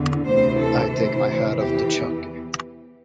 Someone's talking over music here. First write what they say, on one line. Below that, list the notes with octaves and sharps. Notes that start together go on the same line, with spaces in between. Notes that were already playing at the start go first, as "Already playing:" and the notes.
I take my hat off to Chuck.
Already playing: E2 D3
D2 C3 E3 C5
A4
D2 C3 E3 C5
E2 E3 G4